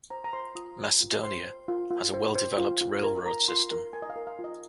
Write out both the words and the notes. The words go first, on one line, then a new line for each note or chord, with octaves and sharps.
Macedonia has a well-developed railroad system.
C5 A#5
A#5
C5 C6
F4 D#6
C5
F4
C5 C6
C5
F4
F4
C5
C5
F4
F4
A#4
A#4 A#5
F4 C6
A#4 A#5
A#4 G#5
D#5
F5
A#4
F5
F4
D#5